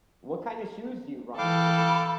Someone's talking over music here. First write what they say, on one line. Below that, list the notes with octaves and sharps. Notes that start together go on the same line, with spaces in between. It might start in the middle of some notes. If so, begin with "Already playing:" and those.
What kind of shoes do you run in?
E3 A4 F5 G5 B5 D6